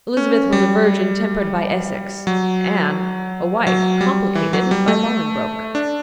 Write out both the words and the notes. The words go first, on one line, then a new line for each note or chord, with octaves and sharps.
Elizabeth was a virgin tempered by Essex; Anne, a wife complicated by Bolingbroke.
C#4
G3
F#3
F#3
G3
E3
F#3
G3
A3
D4